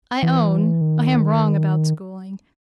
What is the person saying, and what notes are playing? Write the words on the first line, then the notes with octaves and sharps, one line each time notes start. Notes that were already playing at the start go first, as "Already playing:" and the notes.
'I own, I am wrong about schooling.
E3
D#3